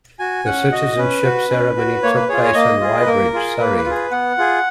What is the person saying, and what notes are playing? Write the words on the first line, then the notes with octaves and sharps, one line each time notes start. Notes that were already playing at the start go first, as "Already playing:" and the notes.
The citizenship ceremony took place in Weybridge, Surrey.
F#4 G#5
C#4 F#5
F#4 D#5
C#4 B4
F#4
C#4
F#4
A#3 C#5
B4
F4 G#4 C#5
C#5
A#3 D#5
F4 G#4
B4
A#3 A#4
F4 G#4
A#3 B4
B4
F4
G#4 B4
B3 F#5
F4 G#4